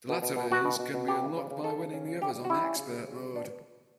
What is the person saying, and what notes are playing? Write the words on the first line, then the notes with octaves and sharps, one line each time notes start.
The latter of these can be unlocked by winning the others on "Expert" mode.
B2
B2
B2
B2 F#4
B2
B2
B2
C#3 G4
C#3
C#3
C#3
C#3 A4
C#3
C#4
C#3
C#3 G4
G3
F#4
G3 E4
C#4
C#3
G3
C#3
G3
B3 D4
B3